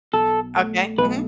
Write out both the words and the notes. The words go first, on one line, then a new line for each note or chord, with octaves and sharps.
Okay, mhm.
B1 A4
A3
B1 B4